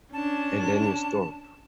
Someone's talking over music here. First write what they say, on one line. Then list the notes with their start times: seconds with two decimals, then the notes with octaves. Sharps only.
And then you stop.
0.13 C#4 D4 A5